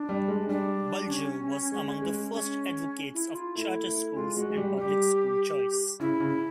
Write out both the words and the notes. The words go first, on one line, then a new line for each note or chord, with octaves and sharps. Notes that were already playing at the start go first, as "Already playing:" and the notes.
Bulger was among the first advocates of charter schools and public school choice.
Already playing: D4
G3
G#3
G3 D4
C#4
G#3
G#3
C#4
E4
F4
A3 E4
A3
G#3 F4
G#3 F#4
G#3
G3 G4
G3 G4
C#3 E4
C#3